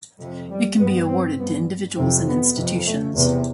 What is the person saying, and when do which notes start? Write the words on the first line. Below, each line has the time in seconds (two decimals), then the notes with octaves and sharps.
It can be awarded to individuals and institutions.
0.19 F2 C3
0.49 G3
0.78 G2 B3
1.08 C4
1.38 G2 B3
1.96 F2 C3 C4
2.27 B3
2.56 F2 C3
2.86 A3
3.15 E2 C3